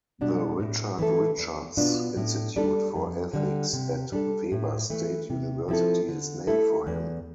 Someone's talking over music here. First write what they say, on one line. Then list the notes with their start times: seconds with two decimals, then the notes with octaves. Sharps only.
The Richard Richards Institute for Ethics at Weber State University is named for him.
0.21 B2 G3 D4
0.60 A2
0.99 E3 A3 E4 A4
1.38 E2
1.77 B2 B3 D4 F4
2.17 A2
2.56 G3 D4 A4
2.95 F2
3.33 D3 G3
3.73 C3
4.12 G3 D4 A4
4.52 A2
4.90 E3 A3
5.30 C3
5.68 F3 C4 E4 A4
6.08 D3
6.47 A3 E4 A4
6.87 E2